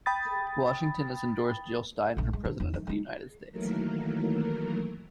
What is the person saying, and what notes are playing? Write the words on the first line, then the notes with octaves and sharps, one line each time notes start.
Washington has endorsed Jill Stein for President of the United States.
G5 B5 D#6 A6
A#1 A3
G#3
D3
E2 D3
D#3
G#3 D#4
D#3 E3 F#3 A3 A#3 A#4